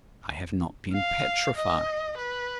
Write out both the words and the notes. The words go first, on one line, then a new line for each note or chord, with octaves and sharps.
I have not been petrified.
F5
D#5
B4